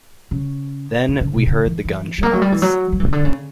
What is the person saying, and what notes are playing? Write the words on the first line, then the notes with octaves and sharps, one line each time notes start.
Then we heard the gunshots.
C#3
D3
C#3
B2
C#3
E3
E3
G3
A#3
F#3
G3
E3
F#3
F#3
E3
C#3
D3
C#3